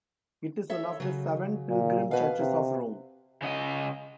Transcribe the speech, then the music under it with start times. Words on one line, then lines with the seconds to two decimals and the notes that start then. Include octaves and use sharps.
It is one of the Seven Pilgrim Churches of Rome.
0.70 A4 C#5 E5
1.00 C#3 F#3
1.70 A#2
2.11 F2 B2 B4 F5
2.40 C3
3.42 C#3 D#5